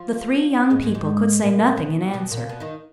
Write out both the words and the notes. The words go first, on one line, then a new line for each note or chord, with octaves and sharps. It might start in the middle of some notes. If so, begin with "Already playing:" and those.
The three young people could say nothing in answer.
Already playing: F3 F4
G#2 G#3
G#2 G#3
G#2 G#3
A#2 A#3
B2 B3
B2 B3
A#2 A#3
B2 B3
D#3 D#4